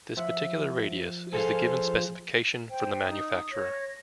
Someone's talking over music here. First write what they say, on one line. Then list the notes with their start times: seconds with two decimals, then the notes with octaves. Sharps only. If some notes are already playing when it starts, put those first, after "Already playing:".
This particular radius is the given specification from the manufacturer.
0.17 F3 E5 F#5
1.33 F4 G#4 A4 C5 G#5
2.69 C5 G5
3.08 D#4 D#6
3.52 C#5 A#6